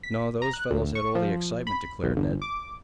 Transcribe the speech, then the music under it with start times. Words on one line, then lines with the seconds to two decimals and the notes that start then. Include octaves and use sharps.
"No, those fellows had all the excitement," declared Ned.
0.03 B6
0.42 A#5
0.53 F#6
0.70 D2
0.95 C#6
1.15 F3
1.67 B5
2.03 B1
2.16 G1
2.42 D6